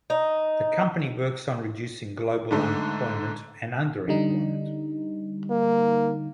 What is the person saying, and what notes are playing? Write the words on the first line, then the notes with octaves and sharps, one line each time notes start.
The company works on reducing global unemployment and underemployment.
D#4
G#2 D3 A3
D3 G3 D#4
A#3